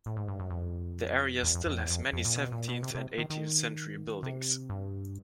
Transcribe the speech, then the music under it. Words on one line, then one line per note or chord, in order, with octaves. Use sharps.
The area still has many seventeenth and eighteenth century buildings.
A2
G#2
G2
F#2
F2
E2
F2
F2
E2
F2
F2
A#2
B2
A#2
B2
C3
C3
D#3
D#3
C3
G2